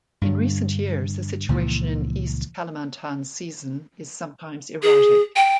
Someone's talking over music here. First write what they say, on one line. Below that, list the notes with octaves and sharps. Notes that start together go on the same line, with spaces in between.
In recent years, the situation in East Kalimantan season is sometimes erratic.
G2 D3
C#2 A#2 E3 F3
G#4
G5